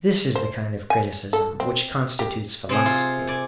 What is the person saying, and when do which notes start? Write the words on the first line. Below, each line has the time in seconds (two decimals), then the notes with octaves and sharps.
This is the kind of criticism which constitutes philosophy.
0.36 C5
0.90 G#5
1.33 A4
1.60 C4
2.19 G4
2.69 C3 C4 G#4
2.86 F4
3.27 D5 G#5